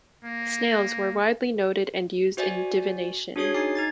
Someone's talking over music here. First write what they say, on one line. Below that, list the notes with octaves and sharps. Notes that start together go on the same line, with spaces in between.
Snails were widely noted and used in divination.
A#3
F#4 C5 D5 E5 G#5
D4 F#4 G#4 C#5 G#6 C7
D#4 G#5 D6 C7
D#4 G#6 A6